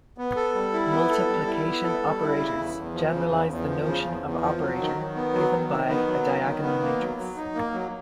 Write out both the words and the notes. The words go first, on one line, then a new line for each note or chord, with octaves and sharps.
Multiplication operators generalize the notion of operator given by a diagonal matrix.
B3
A4
G3
E4
B3
A4
G3
E4
B3
A4
G3
E4
C#3
E2
E2
F3
C#3
E2
E2
F3
C#3
E2
E2
F3
F#3
D#3
D#3
B3
F#3
D#3
D#3
B3
F#3
D#3
D#3
B3
A#3
F#3
F#3
D#4
A#3
F#3